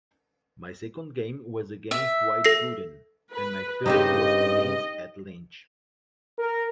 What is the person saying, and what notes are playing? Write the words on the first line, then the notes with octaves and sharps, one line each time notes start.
My second game was against Dwight Gooden, and my third was against Ed Lynch.
E5
A4 A#6 C7
B4
G2 C#3 C4 D#4 G4 D#5
A#4